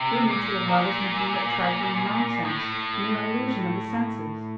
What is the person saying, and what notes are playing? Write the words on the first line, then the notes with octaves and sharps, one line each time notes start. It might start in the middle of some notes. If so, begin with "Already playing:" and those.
Your mutual love is nothing but trifling nonsense, mere illusion of the senses.
Already playing: C3
A#2
C3
A#2
A2